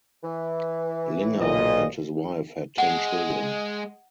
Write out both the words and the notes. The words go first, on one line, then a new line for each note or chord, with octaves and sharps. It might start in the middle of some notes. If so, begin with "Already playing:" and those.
Linger and his wife had ten children.
E3
B1 A#2 D#5
G#3 F#5